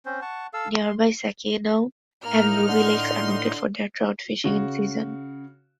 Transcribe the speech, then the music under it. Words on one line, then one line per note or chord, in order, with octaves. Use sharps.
Nearby Sakinaw and Ruby Lakes are noted for their trout fishing in season.
C4 C#4 C5
F#5 A5 C#6
A4 F5 E6
C6
A2 A#3 D#4 F6
D3 C6
C#3 F#4